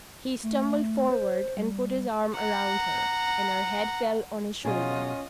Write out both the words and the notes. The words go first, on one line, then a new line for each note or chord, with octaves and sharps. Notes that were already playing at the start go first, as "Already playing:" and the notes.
He stumbled forward and put his arm round her, and her head fell on his shoulder.
A3
C5
G3
F#5 A#5
B2 F#3 C#4 F4 G#4 D#5